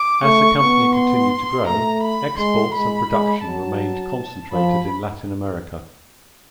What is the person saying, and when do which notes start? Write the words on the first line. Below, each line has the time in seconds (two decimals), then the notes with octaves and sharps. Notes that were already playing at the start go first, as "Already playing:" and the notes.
As the company continued to grow, exports and production remained concentrated in Latin America.
Already playing: D6
0.23 A3 C#6
0.59 B3 C#6
0.95 C6
1.66 A3 A#5
2.02 B5
2.38 G#3 C6
2.74 G#3 B5
3.10 G#3
3.46 F#3 A5
4.52 F3 B5